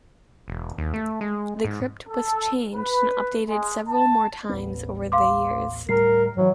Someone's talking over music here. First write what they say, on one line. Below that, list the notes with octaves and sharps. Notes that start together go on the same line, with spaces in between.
The Crypt was changed and updated several more times over the years.
E1
D#2
A3
G#3
G#2
A4
B4
G#3
A5
A1 D#2 B3
F5 C6 D6
D2 A2 G3 A#4 C7
G#2 E3 F#3